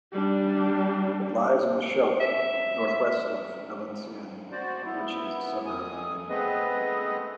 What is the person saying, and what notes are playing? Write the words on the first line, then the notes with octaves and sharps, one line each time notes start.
It lies on the Scheldt, northwest of Valenciennes, of which it is a suburb.
G3 D4
E5
F#4 C5 D5
B3 E4
F2 G#5 D#6
A3 B3 C4 G#4 B4 D#5